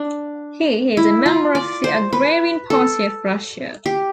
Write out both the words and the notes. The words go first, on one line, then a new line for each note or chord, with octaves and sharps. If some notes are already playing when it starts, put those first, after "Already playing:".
He is a member of the Agrarian Party of Russia.
Already playing: D4
E4
F4
D5
C5
B4
A4
G4